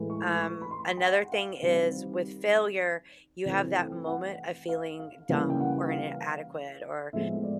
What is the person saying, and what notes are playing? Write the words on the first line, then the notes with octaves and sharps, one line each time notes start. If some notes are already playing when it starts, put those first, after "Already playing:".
Um, another thing is with failure, you have that moment of feeling dumb or inadequate or,
Already playing: A2 E3 G#3
C#6
C#6
B5
C6
G5
F#5
F5
D#3 G3 C4
E3 A3 C4
G5
F#5
F5
F5
C#3 E3 G3 A#3 C#4 F5
G5
F#5
F5
A2 F3 G#3 B3 E5
D5